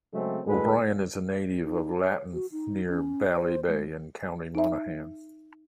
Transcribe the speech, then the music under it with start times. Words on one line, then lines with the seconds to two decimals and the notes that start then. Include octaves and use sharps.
O'Brien is a native of Latton, near Ballybay, in County Monaghan.
0.14 C#3 F#3 G#3 A3 C4
0.47 D2 A2 G#3 F#4 A4 B4
1.64 D#4
2.01 C#5
2.33 F#4
2.52 D#4
2.89 C#4
3.33 C5
3.67 G#3
4.55 D#4 E5